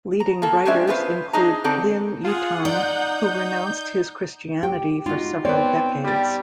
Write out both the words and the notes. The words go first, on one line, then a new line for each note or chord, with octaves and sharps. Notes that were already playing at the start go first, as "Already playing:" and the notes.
Leading writers include Lin Yutang, who renounced his Christianity for several decades.
A#5
A#3 A4
G3 G#3 C#4 D4 C5 E5
B3 F4 G#4 B4 C5
D4 D#4 G#4 A#5
D3 C4 A4 D5
F4 G#4 F#5
D#4 D5 G6
G4 G5
D#4 F4 F#4
B3 C4 B4 C#5 D5
G3 G4 A6